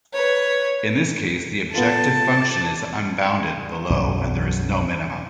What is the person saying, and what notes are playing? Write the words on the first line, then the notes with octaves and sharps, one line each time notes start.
In this case the objective function is unbounded below and there is no minimum.
B4 C#5
B3 F4 A4 A5
D6
B1 F#2 F#3